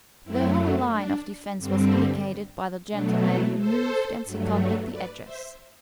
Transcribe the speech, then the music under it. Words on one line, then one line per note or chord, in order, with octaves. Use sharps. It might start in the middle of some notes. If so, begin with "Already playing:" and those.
The whole line of defence was indicated by the gentlemen who moved and seconded the Address.
F#2 F#3 A3 C4 E4
D4
G2 D3 G3 C4
B2 F#3 A3 D4
C4 E4
A4 C5
G2 F#3 A3
B4 D5
C5 E5